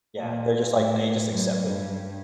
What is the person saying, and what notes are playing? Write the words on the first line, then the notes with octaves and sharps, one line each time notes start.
Yeah. They're just like they just accept it.
A#2
A2
F#2
G2